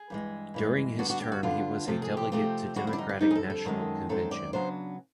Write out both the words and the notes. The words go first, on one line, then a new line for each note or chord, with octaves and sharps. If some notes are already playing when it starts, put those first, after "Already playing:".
During his term he was a delegate to Democratic National Convention.
Already playing: G#4
G2 E3 G#3
G2 E3 G#3
D3 G3 B3 D4 F#4
F#4
G4
F#4
D3 G3 B3 D4 F4
C3 F3 A3 C4 A4
G#4
G4
C3 F3 A3 C4 G4
F2 D3 G3 C4 F#4
E4
D4
D#4
D4
F2 D3 G3 C4 D#4
G#4
A4
A4
F#2 D#3 G#3 C4
F#2 D#3 G#3 C4 A4
D5
C#3 F#3 B3 D4 C5